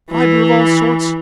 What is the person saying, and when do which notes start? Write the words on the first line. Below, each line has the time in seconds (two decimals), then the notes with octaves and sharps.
Fibre of all sorts.
0.11 E3